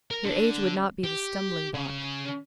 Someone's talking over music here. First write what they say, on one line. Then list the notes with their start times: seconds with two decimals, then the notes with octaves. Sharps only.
"Your age would not be the stumbling block."
0.11 A#4
0.24 D3
1.04 G4
1.74 C#3